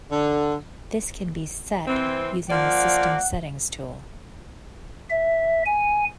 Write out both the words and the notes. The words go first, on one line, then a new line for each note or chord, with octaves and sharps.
This can be set using the System Settings tool.
D3
E3 C4
F3 A#3 D5 F#5
E5
G#5